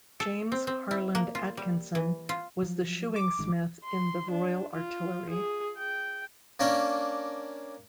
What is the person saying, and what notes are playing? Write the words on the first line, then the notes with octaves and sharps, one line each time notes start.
James Harland Atkinson was a Shoeing Smith in the Royal Artillery.
A4
C4
C4
E4
A#3
F4
G3
E3
F4
F3 F#3
D6
A1 D#3 G#3
C6
D4
F4
G#4
G5
A#3 C#4 D4